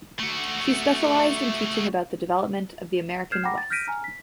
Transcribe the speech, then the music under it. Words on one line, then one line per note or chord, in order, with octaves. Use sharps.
She specialized in teaching about the development of the American West.
A3 F#4
F6 G6 G#6 C7 E7
F#5 G5 A#5 B5 D6 A#6
A6
F6 G6 A#6 B6 D7 D#7
G#5 A#5 F6
B6